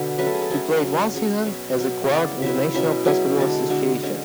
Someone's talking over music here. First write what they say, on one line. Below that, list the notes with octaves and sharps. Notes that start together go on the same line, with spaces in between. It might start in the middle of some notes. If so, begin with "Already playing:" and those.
He played one season as a guard in the National Basketball Association.
Already playing: B2 D3 B3
F#3 A3 C#4 B4
A4
G#4
A4
F#3 A3 C#4 G#4
C#3 F#3 C#4
C#3 F#3 C#4 G#4
B2 F#3 B3 C#5
B2 F#3 B3
C#3 F#3 B3 E4 D5
C#3 F#3 B3 E4 E5
B2 F#3 C#4 E4 E5
B2 F#3 C#4 E4 G#4
D3 G#3 D4 A4
D3 G#3 D4 F#4
D3 G#3 C#4